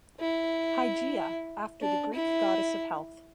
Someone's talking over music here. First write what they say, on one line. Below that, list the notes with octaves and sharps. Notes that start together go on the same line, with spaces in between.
Hygeia after the Greek goddess of health.
E4
D4
E4